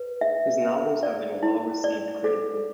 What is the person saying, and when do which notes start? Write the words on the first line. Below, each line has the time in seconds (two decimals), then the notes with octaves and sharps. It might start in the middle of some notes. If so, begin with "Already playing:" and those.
His novels have been well-received critically.
Already playing: B4
0.21 E5
0.62 E5
1.03 D5
1.43 E4
1.84 D5
2.24 A4